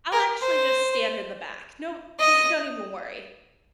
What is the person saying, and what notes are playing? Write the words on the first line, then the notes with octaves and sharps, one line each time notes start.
I'll actually just stand in the back. No, n don't even worry."
A#4
C5
D#5